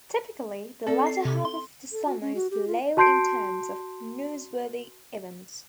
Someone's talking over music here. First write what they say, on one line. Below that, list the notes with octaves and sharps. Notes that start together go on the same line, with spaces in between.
Typically, the latter half of the summer is slow in terms of newsworthy events.
C4 A4 D5
C7
C3
C6
A4
F#4
C#4
F#4
G4
F4
F#4 A5 C6 G6 C7 D7